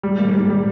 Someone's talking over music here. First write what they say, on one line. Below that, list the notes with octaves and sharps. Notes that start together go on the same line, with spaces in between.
There you go.
G3
A#3
G3
G3